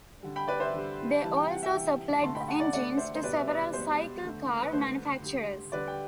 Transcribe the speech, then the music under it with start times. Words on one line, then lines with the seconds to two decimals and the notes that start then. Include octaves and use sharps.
They also supplied the engines to several cyclecar manufacturers.
0.23 D3 G3
0.36 G5 B5
0.48 B4 D5
0.60 C5 E5
0.74 D3 G3
1.23 C3 E3 G3 A5
1.36 G5
1.51 F#5
1.63 E5 G5
1.72 C3 E3 G3
2.22 D3 A3 A5 C6
2.35 G5 B5
2.47 F#5 A5
2.60 D5 F#5
2.73 D3 A3 D5 F#5
2.97 C5 E5
3.15 C5
3.23 B2 G3 B4 D5
3.36 E5
3.47 B4 D5
3.73 B2 G3 C5
4.23 D3 A3
4.62 B4
4.72 D3 A3 C5
5.23 D3 G3
5.72 D3 G3 B4 D5
5.87 G5